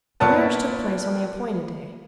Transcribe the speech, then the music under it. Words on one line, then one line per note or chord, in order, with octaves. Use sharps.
The marriage took place on the appointed day.
A#2 B3 C#5 F#5 A5